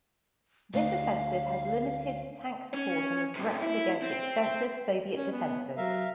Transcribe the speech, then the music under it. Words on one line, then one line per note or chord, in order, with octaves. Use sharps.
This offensive had limited tank support and was directed against extensive Soviet defenses.
D2 F5
C#4
A2 C3
E4
C4
C#4
B3
F#3 A#4 E5 F5